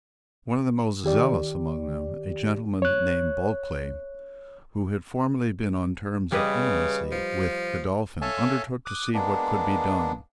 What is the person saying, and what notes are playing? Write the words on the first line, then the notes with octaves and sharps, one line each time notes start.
One of the most zealous among them, a gentleman named Bulkeley, who had formerly been on terms of intimacy with Godolphin, undertook to see what could be done.
D#3 G4 D5
C#5 F#6
C#3 G3 B4 D#5
F3
A4 C#5 E5 F5 G#5 A5
D6 D#6 F#6
G#3 A#3 B3 D4